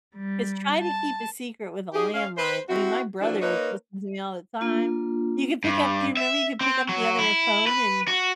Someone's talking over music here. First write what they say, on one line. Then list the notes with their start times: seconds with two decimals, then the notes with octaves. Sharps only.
Just try to keep a secret with a landline, I mean, my brother was listening to me all the time. You could pick up do you remember you could pick up the other phone and
0.15 G3
0.83 A5
1.94 D#4 G4 G#4
2.14 C#4 F5
2.37 B4 C5
2.69 C4 E4 F#4
3.20 E3 F3 G3 D4 F#4
3.41 A#3 D#4 A#4 B4 C#5
4.61 A#3 D4 F4
5.64 G2
6.17 E5
6.61 C4
6.89 F#3
7.18 E4
7.67 B4
8.08 F#4